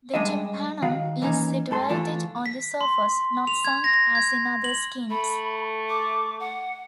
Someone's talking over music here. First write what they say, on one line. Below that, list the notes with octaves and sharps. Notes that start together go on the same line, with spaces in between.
The tympanum is situated on the surface, not sunk as in other skinks.
G3 G#3 D4 D#5 E5
D#3 F#4 F5
E3 A#3 C#4 D#4
G#2 A4 C6
D3 E3 A3 D4 F4 A4
B6
C6
F7
G#6
A#6
G#6
F#7
A3 B5
D6
F#5